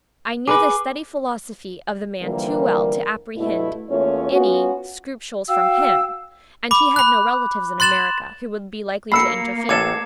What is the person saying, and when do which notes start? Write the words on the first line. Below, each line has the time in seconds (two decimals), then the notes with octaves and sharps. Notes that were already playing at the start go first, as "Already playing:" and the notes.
I knew the steady philosophy of the man too well to apprehend any scruples from him; and he had no relatives in America who would be likely to interfere.
0.48 G#4 A#4 B4 D6
2.22 D3 E3 F3 G3 A#3
3.36 G2 B2 A3 B3 E4
3.89 E2 A3 A#3 C#4 F4 C#5
4.33 B3 C#4 F4 F#4
5.48 F#4 F5 G5 E6
6.71 B5 D6
6.96 B5 F#6
7.80 C6 F#6 A6 E7 F#7
9.12 A#3 B5 E6 C7 C#7
9.69 A1 A4 D6 G#6 E7